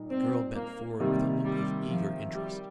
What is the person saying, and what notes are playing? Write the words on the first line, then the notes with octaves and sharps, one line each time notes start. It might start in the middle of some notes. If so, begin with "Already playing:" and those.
The girl bent forward with a look of eager interest.
Already playing: A#2 G3 D#4
C4
A#3
C3 D#3 G3 A#3
G3
F3
G3